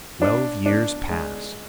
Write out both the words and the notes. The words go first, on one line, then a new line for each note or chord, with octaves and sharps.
Twelve years passed.
D4
D4
G#3